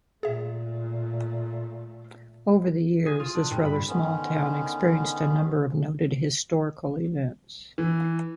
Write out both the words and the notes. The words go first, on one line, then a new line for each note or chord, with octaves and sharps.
Over the years, this rather small town experienced a number of noted historical events.
A#2 A3 G#4 E5
G#4
F4
D4
G2
B5
D3 D#3 B3 C#4
E3